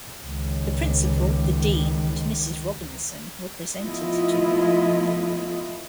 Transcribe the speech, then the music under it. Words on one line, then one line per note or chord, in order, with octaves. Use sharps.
The Principal, the Dean and Mrs Robinson were presented to me.
C#2 D#3
F3 A3 B3 E4 F4 D#5